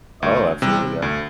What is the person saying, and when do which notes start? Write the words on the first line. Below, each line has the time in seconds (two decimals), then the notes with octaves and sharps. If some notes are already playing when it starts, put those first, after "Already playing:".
Oh, absolutely, yeah.
0.22 D2
0.62 C3 G3
1.02 D2